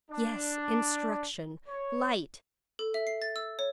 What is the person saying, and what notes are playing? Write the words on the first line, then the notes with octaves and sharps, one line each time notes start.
Yes, instruction! light!
D4
C#5
A4
E5
C7
A6
E6
C#5